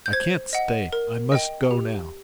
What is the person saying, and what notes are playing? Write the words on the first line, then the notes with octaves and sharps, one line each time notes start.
"I can't stay, I must go now...."
G6
C5 G#6
D#5 F#5
A#4
D#5 G5
G4